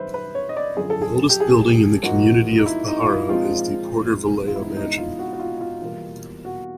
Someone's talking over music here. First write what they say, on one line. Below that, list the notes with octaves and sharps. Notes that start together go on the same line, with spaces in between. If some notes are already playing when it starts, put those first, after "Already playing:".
The oldest building in the community of Pajaro is the Porter-Vallejo Mansion.
Already playing: F#2 D#3 G3 B4 C5 E5
B4
C#5
D#5
D5
F#2 D3 F3 G#4
A4
G#4
G4
G#4
G#2 F3 A#3 D#4 F#4
D#4
E4
D#4
F4
E4
A#2 F3 G#3 C4 D#4 F4
F4
G#2 E3 G#3 B3 D#4 E4
D#4
F4
F#4
F#4
F4
F4
E2 B2 G3 A#3
F#4